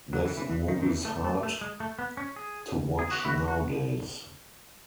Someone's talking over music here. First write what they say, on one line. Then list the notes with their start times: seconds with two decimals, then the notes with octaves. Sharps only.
This movie's hard to watch nowadays.
0.13 F#3
0.25 E3
0.37 E3
0.50 E3
0.68 D#3
0.82 D#3
0.86 E3
1.05 A3
1.24 A3
1.43 A3
1.61 G#3
1.80 A3
1.99 B3
2.17 C#4
2.36 G#4
2.99 G#4
3.11 F#4
3.25 E4
3.28 F#4
3.48 F#4